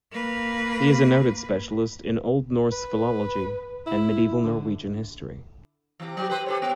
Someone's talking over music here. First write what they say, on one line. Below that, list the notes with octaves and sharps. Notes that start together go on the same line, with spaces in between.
He is a noted specialist in Old Norse philology and medieval Norwegian history.
A#3 B4
B4
E4
D3
C3 E3
F#3 G4
B4 C5
G4 A4 C#5
B3